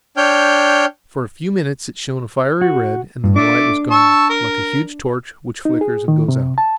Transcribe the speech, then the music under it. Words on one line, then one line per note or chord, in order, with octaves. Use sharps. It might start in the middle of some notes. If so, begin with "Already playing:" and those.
For a few minutes it shone a fiery red and then the light was gone like a huge torch which flickers and goes out.
D4 C#5 G5 F6 G6
F#4
G2
A3 D4 D6
A5 C#6 E6
A#4
D#4
G#4
D#3
C3
A5